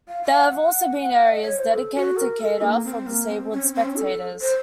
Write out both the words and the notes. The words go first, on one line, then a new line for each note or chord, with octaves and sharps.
There have also been areas dedicated to cater for disabled spectators.
F5
F5
F#5
D#5
C#5
C5
A4
F#4
A#4
A4
A#3
C4
A#3
C4
C#4
C4
C4
C#4
A4
C5